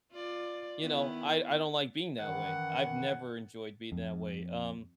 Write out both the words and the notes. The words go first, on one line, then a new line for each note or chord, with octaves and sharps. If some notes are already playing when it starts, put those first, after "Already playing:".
you know, I I don't like being that way. I've never enjoyed being that way. Um,
F4 D5
D#3 B3 E4
F#2 D#3 E3 F#5
F2